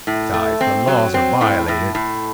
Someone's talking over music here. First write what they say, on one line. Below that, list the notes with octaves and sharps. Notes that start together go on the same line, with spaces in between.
Besides, the laws are violated.
A2
A3
C4
F#3
C4
A2
A2
A2